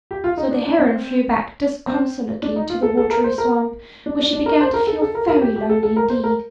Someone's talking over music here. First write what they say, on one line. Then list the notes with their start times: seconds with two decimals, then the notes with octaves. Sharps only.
So the Heron flew back disconsolately to the watery swamp, where she began to feel very lonely indeed.
0.11 G4
0.24 F4
0.37 D#4
0.51 D4
0.65 D4
0.79 C4
1.87 C4
2.42 D4
2.56 D#4
2.70 F4
2.82 A4
2.97 A4
3.10 A#4
3.24 C5
3.38 A#4
4.06 D4
4.19 D4
4.33 D4
4.46 A#4
4.61 C5
4.74 A#4
4.87 A4
5.02 A4
5.15 A#4
5.28 A#4
5.41 G4
5.56 G4
5.69 A4
5.83 A4
5.96 A#4
6.10 C5
6.24 A#4